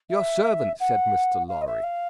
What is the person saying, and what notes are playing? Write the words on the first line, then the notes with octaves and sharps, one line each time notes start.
"Your servant," said Mr. Lorry.
E5
F#5
F5
D#5
E5
F5